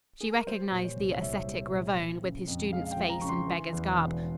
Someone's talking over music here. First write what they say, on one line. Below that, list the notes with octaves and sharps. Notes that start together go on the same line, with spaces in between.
She recognized the ascetic Ravone, with his student's face and beggar's garb.
G#4
A#4
G3 C5
A#2
C#5
C2
C#5
C2 E5
G3
A#2
F3
C#3
F2
G#3 F5
F5
G5
F3
A#5
C#3 C#6
C6
E3
E2
E1